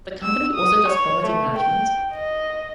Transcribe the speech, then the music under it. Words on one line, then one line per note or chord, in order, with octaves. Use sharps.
The company also does property management.
E6
D#6
C#5
A3
G5
D#5